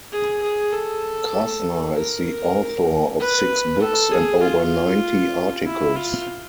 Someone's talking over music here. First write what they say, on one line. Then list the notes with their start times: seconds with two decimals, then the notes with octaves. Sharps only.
Krasner is the author of six books and over ninety articles.
0.12 G#4
0.42 G#4
0.73 A4
1.96 A#4
3.20 B4
3.81 A4
4.12 G#4
4.43 F4
5.66 E4
5.96 F4